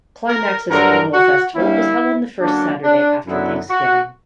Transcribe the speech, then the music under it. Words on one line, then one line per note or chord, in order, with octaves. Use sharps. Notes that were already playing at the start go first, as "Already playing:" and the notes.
Climax's annual festival is held on the first Saturday after Thanksgiving.
A#4
G2 D3 F#3 A#4
F#4
D3 G3 A#3 C#4 E4
D3 F#3 A#3 C#4 D4
D4
F#2 D3 F#3 B3 E4
F#4